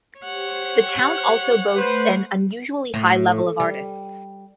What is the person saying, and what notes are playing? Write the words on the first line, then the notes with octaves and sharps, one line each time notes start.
The town also boasts an unusually high level of artists.
G4 C5 C#5 F#5
A3 B4 C5
A2
G3